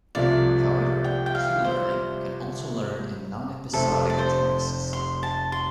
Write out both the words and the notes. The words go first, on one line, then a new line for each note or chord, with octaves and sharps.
However, "Q"-learning can also learn in non-episodic tasks.
C2 C3 F3 A3 F4 D5
G5
G5
F5
C5
F1 F2 C3 A3 C4 A4
D5
C5
C6
A5
C6